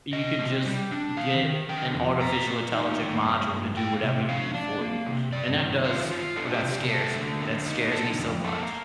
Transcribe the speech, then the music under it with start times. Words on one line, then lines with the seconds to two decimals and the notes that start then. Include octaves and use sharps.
you could just get an artificial intelligent module to do whatever you need for you? And that does well, that scares me. That scares me so much.
0.13 C3 D#5
0.39 C3
0.65 G3
0.91 D4
1.17 D#3 F5
1.43 D#3
1.69 D3 G5
1.94 F2
2.21 A#2 A#5
2.47 A#3
2.73 D#4
2.99 A#3
3.25 G2
3.51 G2
3.77 A#3 G5
4.03 C3
4.29 D4 F5
4.54 D4
4.81 A#3
5.06 C3
5.33 G2 D5
5.59 D#3
5.84 F4 C5
6.11 F4
6.36 D4 A4
6.54 G4
6.63 C3
6.72 G4
6.88 A3 A4
7.15 D3
7.41 A#3
7.66 D#4
7.92 D3 A4
8.18 F2
8.44 A#3 A4